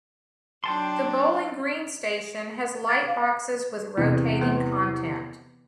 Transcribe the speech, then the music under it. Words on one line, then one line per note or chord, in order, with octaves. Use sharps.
The Bowling Green station has lightboxes with rotating content.
F#3 D4 G5 A5 C6
A6
F5
E2 C3
E3 B3 C5